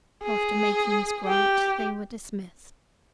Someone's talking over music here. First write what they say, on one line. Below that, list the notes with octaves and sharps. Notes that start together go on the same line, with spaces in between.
After making this grant, they were dismissed.
G#4
G4